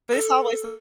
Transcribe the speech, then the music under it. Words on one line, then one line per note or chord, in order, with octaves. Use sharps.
But it's always
A4